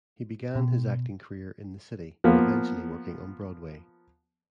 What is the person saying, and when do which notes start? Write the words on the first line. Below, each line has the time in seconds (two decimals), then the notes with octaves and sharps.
He began his acting career in the city, eventually working on Broadway.
0.56 B2
2.24 F3 A#3 B3